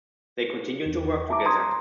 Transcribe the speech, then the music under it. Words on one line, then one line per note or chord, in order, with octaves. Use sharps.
They continue to work together.
E2
E5 A5 A#5 D6
A#5 C6 D#6 G#6